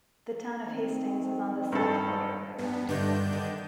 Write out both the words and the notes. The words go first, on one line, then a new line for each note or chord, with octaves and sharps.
The Town of Hastings is on the south border of the county.
D#3 C4
G2 A4
G2 B3
G2 D3 D#3 D4 G6
D#3